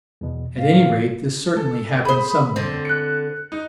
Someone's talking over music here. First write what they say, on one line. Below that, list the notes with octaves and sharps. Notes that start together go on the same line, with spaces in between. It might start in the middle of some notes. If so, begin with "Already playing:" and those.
At any rate this certainly happened somewhere.
E2 B2
A2 F5
A4
G#4 C5 B5 D#6
D3 C4 C5
F#6 C#7
D#4